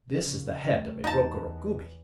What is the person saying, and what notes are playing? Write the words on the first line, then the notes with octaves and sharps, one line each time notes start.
This is the head of a Rokuro-Kubi.
A#1 C#3
G3 A3
E2 D#4 A5